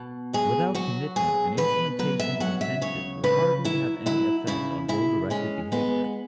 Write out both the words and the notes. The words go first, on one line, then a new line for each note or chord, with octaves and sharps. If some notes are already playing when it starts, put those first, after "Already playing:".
Without commitment, an implementation intention will hardly have any effect on goal-directed behavior.
Already playing: B2
F#3 G#4
F#3 F#4
B2 G#4
B2 B4
F#3 B4
E5
F#3 F#5
E5
C#3 C#5
C#3 B4
F#3 E4
F#3 E4
C#3 E4
C#3 E4
G#3 C#4
G#3 B3